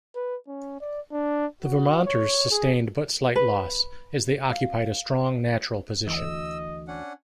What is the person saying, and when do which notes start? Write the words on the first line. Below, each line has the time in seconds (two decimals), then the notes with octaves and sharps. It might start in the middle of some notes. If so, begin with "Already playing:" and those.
The Vermonters sustained but slight loss, as they occupied a strong, natural position.
0.16 B4
0.47 C#4
0.80 D5
1.12 D4
1.62 F#4
2.05 C#5
2.51 G#4
3.36 B4
4.50 F5
6.07 D2 E3 D#5 E6
6.88 C#4 D4 F#5